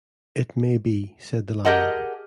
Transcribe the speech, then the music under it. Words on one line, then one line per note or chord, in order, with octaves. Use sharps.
"It may be," said the Lion.
G4 G#4 A#4 D#5 F#5 A5